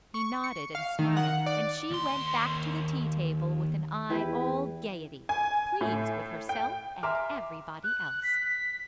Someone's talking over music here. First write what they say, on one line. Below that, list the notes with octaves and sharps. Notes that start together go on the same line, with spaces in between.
He nodded and smiled, and she went back to the tea-table with an eye all gaiety, pleased with herself and everybody else.
C#6
C#7
F5
D#3
F#5
D5
D#2 C6
E2 E4 G4 B4
G#5
A2
G5
E5 G#5 A#5 C6 D6 F6
F#6
B6